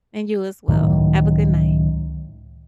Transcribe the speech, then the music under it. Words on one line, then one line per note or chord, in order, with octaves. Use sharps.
And you, as well. Have a good night.
C#2 A2 D#3 F#3